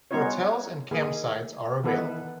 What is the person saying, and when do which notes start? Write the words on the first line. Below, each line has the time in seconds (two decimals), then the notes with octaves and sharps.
Hotels and campsites are available.
0.11 G3 B3 C#4 D#4 F4 C#5
0.91 D#3 A#3 G#4
1.84 D#3 E3 B3 A4 B4